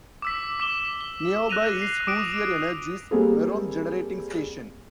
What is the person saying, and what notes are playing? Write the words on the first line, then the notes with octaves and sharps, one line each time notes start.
Nearby is Hoosier Energy's Merom Generating Station.
D6 E6 B6
D6 E7 G7
G7
F#6 A#6 D#7 F7
C7
D6 D#6 D7
G3 A#3 C4 G#4 A4